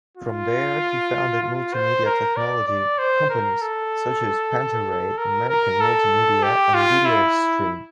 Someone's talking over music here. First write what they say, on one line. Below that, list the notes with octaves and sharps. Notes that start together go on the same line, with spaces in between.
From there he founded multimedia technology companies such as Pantaray, American Multimedia, and VideoStream.
F4
F4
C5
A#4
D5
D5
C5
A#4
A4
A#4
A#4
A4
G4
F4
E4